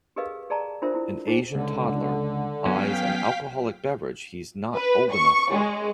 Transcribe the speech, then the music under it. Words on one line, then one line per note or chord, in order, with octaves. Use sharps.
An Asian toddler eyes an alcoholic beverage he 's not old enough for.
G4 G#4 A#4 B4 D#5 F5
G#4 D5 D#5 A5 A#5
D4 F4 A4 A#4 C5 E5
E4 C5
D#4 G#4 C5 G5
C#2 D3
F#3 B3 C#4 F5 G5 B6
B4
C#6
G#3